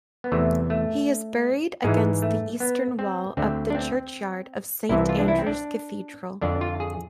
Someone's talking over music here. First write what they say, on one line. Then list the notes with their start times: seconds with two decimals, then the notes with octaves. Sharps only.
He is buried against the eastern wall of the churchyard of Saint Andrew's Cathedral.
0.24 B3
0.32 E2 C3 E3 A3
0.70 A3
1.84 G#2 E3 G#3
2.22 A3
2.60 B3
2.99 C4
3.37 D2 D3 C4
3.70 D4
3.75 C4
4.89 C2 C3 E3 E4
5.09 F4
5.19 D4
5.28 E4
5.39 C4
5.47 D4
6.41 F2 D3 D4
6.61 F4
6.80 G#4